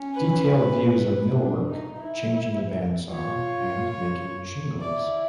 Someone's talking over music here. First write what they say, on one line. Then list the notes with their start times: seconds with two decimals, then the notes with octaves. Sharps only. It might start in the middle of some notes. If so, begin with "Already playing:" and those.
Detailed views of mill work, changing the bandsaw, and making shingles.
Already playing: C#4
0.15 B4
1.41 D4
1.70 D#4
1.98 E4
3.11 F4 C#5
4.81 E4 D5